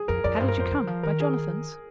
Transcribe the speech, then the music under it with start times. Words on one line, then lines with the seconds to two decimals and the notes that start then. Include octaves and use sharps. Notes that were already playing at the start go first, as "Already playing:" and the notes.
'How did you come; by Jonathan's?'
Already playing: G#4
0.08 F2 A#4
0.24 F2 D5
0.37 G2 C5
0.48 A#4
0.57 F2 C5
0.71 D#3
0.87 F3
1.03 D#3 A#4
1.20 G#4